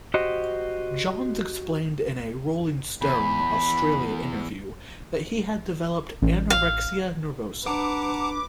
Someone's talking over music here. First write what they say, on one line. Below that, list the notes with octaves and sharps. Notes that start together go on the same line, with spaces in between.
Johns explained in a "Rolling Stone" Australia interview that he had developed anorexia nervosa.
F#4 G4 C5 D#5
E2 B5
A1
F5
D4 B4 F#5 A5 A#5 D6